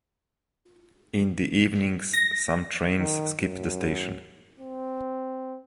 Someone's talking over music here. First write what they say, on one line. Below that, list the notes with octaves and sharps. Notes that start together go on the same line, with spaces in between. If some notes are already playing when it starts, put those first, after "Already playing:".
In the evenings, some trains skip the station.
A#6
D#3
F#2
C4